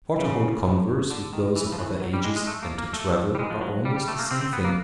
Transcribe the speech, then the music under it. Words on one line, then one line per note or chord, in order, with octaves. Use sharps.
For to hold converse with those of other ages and to travel, are almost the same thing.
C#3
D3
D#3
E3
F3
E3
F#3
G3
G#3
G#3
A3
A#3
A#3
A3
G3
G#3
F3
F#3
G3
G3
A3
A#3
C4
C4
B3
A#3